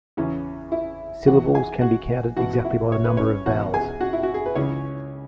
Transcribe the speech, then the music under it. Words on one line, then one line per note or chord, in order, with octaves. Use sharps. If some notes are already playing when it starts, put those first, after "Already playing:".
Syllables can be counted exactly by number of vowels.
E2 C#3 E3 C#4
E4
E2 E3 F#4 F#5
G#4 G#5
F#4 F#5
E2 B2 F#4 F#5
F#4
E4
C#5
B4
C#4 C#5
E2 B2 F#4 F#5
G#4 G#5
F#4 F#5
E4
F#4
G#4
B4
C#2 C#3 E3 C#4 C#5